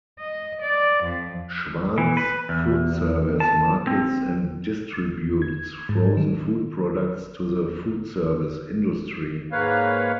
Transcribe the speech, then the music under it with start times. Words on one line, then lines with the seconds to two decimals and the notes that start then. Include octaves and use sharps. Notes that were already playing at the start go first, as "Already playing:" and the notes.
Schwan's Food Service markets and distributes frozen-food products to the food service industry.
0.19 D#5
0.62 D5
1.04 F2
1.98 E3
2.17 B4
2.49 E2
3.40 A5
3.87 C4
5.42 G#6
5.89 G#2
6.17 D#3
9.52 G#2 A#3 B4 C#5 F5